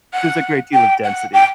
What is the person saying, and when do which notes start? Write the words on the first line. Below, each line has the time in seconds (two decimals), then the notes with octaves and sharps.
There's a great deal of density.
0.13 F#5
0.73 G5
1.03 F#5
1.33 G5